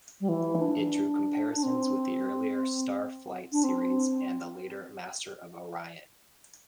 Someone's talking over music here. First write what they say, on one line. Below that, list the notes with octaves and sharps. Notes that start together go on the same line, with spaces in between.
It drew comparisons with the earlier "Starflight" series and the later "Master of Orion".
G3
E3
E4
D4
D4
C4
D4
C4